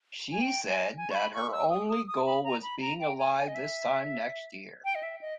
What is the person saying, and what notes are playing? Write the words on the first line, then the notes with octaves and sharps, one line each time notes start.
She said that her only goal was "being alive this time next year".
G#5
G5
G#5
G#5
C#6
B5
C#6
E6
D#6
D#6
D#6
B5
A#5
B5
A#5
G5
G#5
G#5
D#5
E5
G5
D#5
E5
D#5